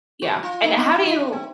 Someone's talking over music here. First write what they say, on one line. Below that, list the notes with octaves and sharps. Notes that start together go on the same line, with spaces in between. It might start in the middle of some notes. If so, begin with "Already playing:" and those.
Yeah, and how do you
F#4
F4
D#4
D#4
E4
D#4
D4
C4